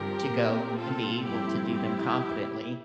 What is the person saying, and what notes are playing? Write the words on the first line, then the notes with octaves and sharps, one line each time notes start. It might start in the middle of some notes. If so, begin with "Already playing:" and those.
to go and be able to do them competently.
Already playing: G2 D3 F3 C4 G4 A#4
A#2 A3 C4
F4 A4
G2 F3 A3 C4 E4 G4
E4 G4